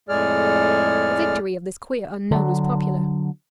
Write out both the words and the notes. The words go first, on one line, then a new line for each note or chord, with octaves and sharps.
The victory of this queer unknown was popular.
F2 A2 G#3 G#4 D5 F6
D3 F#3